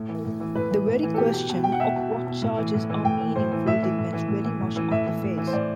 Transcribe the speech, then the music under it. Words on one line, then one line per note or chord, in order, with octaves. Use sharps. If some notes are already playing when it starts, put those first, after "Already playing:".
The very question of what charges are meaningful depends very much on the phase.
Already playing: A2
E3
A2
E3
A2 B4
E3
A2
E3
A4
B2 G4
B2
B2
B2 G5
F#5
B2 E5
B2
B2
B2
A2
E3
A2
E3
A2 G5
E3
A2 C5
E3
A2 E5
E3
A2
E3
A2
E3
A2
E3
A2 E5
E3
A2
E3
C5
A2 D5